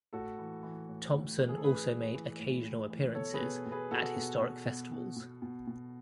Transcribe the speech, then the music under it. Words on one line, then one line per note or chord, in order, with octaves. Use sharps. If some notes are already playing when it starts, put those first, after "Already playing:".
Thompson also made occasional appearances at historic festivals.
A2 F#4 A4
E3
E3
A2
A2
E3
G#4
A4
A2 G#4 B4
E3
E3
A2
A2
E3
B2 A4 C#5
G#4 B4
B2
B2
G#4 B4
B2 F#4 A4
B2
B2
B2
B2
B2
B2
B2